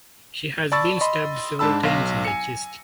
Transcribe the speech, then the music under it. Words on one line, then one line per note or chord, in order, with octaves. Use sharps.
She had been stabbed several times in the chest.
D5 A5 B5 C#6 E6 A6
D#5 B5 C6
G#2 D4 A5 B5 E6
B1 F5 A#6
G#5 C#7